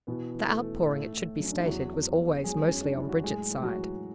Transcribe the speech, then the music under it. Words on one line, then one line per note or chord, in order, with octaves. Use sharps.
The outpouring it should be stated, was always mostly on Bridget's side.
B2 E3 B3
E3
A3
E3
A2 A3
A2
F#3 C#4
D4
E4
E2 F#3 F#4
E2
E2
F#3 G#3 G#4
F#2 C#4
D4
F#3 E4
F#4
A2 G#3 G#4
A2
F#3 F#4
E3